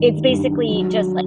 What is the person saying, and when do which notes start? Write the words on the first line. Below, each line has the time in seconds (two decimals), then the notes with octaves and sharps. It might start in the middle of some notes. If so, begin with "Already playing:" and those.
It's basically just like
Already playing: G2 D#3
0.27 G2
0.68 F#3